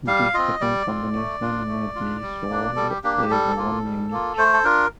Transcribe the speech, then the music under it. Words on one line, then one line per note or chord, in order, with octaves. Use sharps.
This second combination may be sold as one unit.
G3 F5
C4 F4 D#5
G3 D5
C4 F4
A3
D4 F4
A3
D4 F4
G3
A#3 D4
G3 A4
G4
A#3 D4 G4
G4
G3 A4
A#3 F4
G3
A#3 F4
A3 C5
A4
D4 F4 A#4